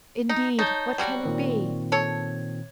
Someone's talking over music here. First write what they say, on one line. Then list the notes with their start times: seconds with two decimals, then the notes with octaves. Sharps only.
"Indeed! what can it be?"
0.29 D#4
0.59 D#4 C#5 A5 G6
0.98 F#3 G3 F#4
1.24 A#2 D#3 C4
1.92 A4 C#5